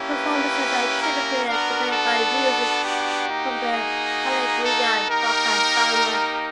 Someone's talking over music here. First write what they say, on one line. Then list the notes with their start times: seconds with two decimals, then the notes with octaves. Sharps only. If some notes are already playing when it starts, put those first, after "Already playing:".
Performances are typically accompanied by music from the Paraguayan polka genre.
Already playing: A#3 C#4 E4 G4
0.11 B4
1.02 A#4
1.47 B3 D4 F#4 A#4
1.92 A4
2.83 G4
3.28 A#3 D#4 F#4
3.73 G#4
4.64 A4
5.09 A#3 D#4 G4 A#4